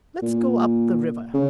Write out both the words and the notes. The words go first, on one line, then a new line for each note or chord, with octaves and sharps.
"Let's go up the river."
A#2
C#3